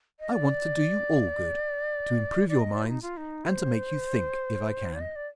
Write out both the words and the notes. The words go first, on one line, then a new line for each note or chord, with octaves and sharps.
I want to do you all good--to improve your minds and to make you think, if I can.
D#5
D5
D5
D#5
D5
F4
D#4
F4
D#4
C5
D5
D#5
D5